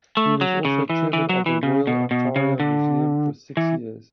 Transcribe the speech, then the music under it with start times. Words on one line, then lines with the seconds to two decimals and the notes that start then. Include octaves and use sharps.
He was also chairman of the Royal Ontario Museum for six years.
0.17 A3
0.41 F#3
0.65 C#3
0.90 E3
1.13 E3
1.29 F#3
1.46 E3
1.63 C#3
1.87 B2
2.11 B2
2.36 C#3
2.60 D3
3.57 E3